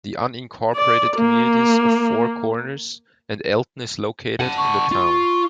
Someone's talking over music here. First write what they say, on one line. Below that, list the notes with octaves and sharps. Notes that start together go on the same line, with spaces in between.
The unincorporated communities of Four Corners, and Elton is located in the town.
D5
A#3
F#5 A5
C#6
F4